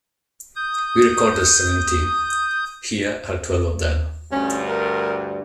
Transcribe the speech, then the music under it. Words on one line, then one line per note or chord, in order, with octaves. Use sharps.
We recorded seventeen-here are twelve of them.
D#6 G6
D2 G2 C#4
A#4